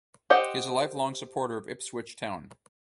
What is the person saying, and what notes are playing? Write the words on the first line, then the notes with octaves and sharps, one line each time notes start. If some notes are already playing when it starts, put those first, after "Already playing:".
He is a lifelong supporter of Ipswich Town.
G4 C5 D#5 F#5